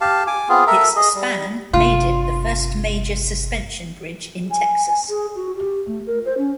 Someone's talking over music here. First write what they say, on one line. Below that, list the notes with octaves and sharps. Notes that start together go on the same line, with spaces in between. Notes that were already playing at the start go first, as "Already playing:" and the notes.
Its span made it the first major suspension bridge in Texas.
G4 F5 A5
G#5 D6
B3 C4 F4 G#4
A4 A#4 E5 A#5
G#4 D#5
G3
G1 C3 F4
G#5
G#4
F#4
G4
A3
A#4
C5
C#4